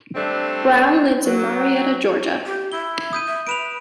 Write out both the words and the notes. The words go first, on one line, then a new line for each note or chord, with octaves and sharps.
Brown lives in Marietta, Georgia.
G3 A3 C4 D4
F#3
G4
E4 G7
D#6 G6 D#7
E5
B4 D7 E7 F7